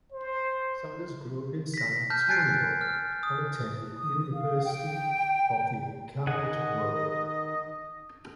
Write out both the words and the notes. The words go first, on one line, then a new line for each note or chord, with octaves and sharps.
Sanders grew up in San Antonio and attended the University of the Incarnate Word.
C5
A#6 B6
A5 F6 G6
G#5 F#6 G#6 A6 C7 D7
F6
D#6
D#6
F5
G5
D#3 D#5 F#5 G#5